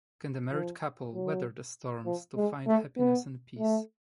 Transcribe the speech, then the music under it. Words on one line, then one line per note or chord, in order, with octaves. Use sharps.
Can the married couple weather the storms to find happiness and peace?
F3
F#3
F3
G#3
A3
B3
A3